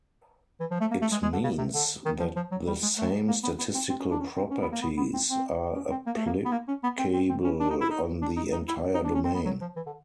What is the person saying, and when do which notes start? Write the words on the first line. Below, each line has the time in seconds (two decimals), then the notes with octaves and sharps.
It means that the same statistical properties are applicable on the entire domain.
0.60 E3
0.71 F3
0.81 A3
0.91 A#3
1.01 A3
1.12 G#3
1.23 G#3
1.33 D3
1.43 C#3
1.58 C3
1.74 D3
2.05 D#3
2.20 F3
2.36 F3
2.51 F#3
2.67 G3
2.82 G#3
2.98 A3
3.28 A#3
3.43 B3
3.58 B3
3.75 C4
3.90 C4
4.00 C#4
4.11 D4
4.20 C#4
4.37 C4
4.51 C#4
4.62 B3
4.72 A#3
4.82 B3
4.97 B3
5.13 C4
5.29 C4
5.75 C#4
5.91 C4
6.06 A#3
6.16 A3
6.26 A#3
6.45 B3
6.52 A#3
6.68 C#4
6.83 B3
6.99 C4
7.14 C4
7.30 C4
7.44 C#4
7.60 D4
7.70 D#4
7.81 E4
7.90 D#4
8.22 D4
8.37 D#4
8.52 D#4
8.68 E4
8.94 D#4
9.04 D4
9.14 C#4
9.25 C4
9.34 B3
9.45 F#3
9.61 F3
9.76 E3
9.86 D3